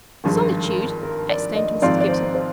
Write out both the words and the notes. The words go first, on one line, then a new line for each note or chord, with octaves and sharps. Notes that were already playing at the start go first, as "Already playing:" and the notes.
"Solitude!" exclaimed Mrs. Gibson.
G#1 G2 F3 G#3 A#4
A#4
A#4
D5
D#5
G#1 G#2 F3 C4 F4 D5
D5
C5
C5